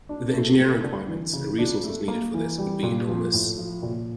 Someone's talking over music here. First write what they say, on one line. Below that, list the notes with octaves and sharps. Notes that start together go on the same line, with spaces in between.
The engineering requirements and resources needed for this would be enormous.
D4
A3
A3
D3
E3
C#3
D4
A3
A#3
E3
G3
A#2
F3
A2
F3
A#2